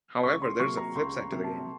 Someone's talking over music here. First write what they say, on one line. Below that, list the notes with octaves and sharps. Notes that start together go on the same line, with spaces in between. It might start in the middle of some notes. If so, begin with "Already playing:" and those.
However, there is a flip side to the game.
C#2 C#6
C6
C3 F#3 A#3 C#6
A#5
C#2 C6
A#5
C3 F#3 A#3
A5